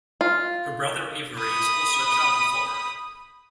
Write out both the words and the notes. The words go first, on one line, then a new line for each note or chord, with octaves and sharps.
Her brother Avery is also a child performer.
F4
B5 D#6